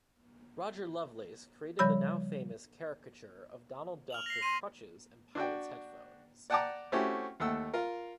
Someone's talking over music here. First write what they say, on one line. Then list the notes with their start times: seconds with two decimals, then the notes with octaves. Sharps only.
Rodger Lovelace create the now-famous caricature of Donald Duck with crutches and pilot's headphones.
1.79 C#3 F3 G3 C#5 B5 E6
4.10 F6 F7 F#7
4.26 A#6 C7
4.42 C6 D#7
5.35 D4 F#4 G5
6.50 D5 F#5 G5 A5 A#5 D6
6.92 A3 C4 C#4 E4 F#4 G4
7.40 D#2 A3 F#5 E6
7.74 F4 A#4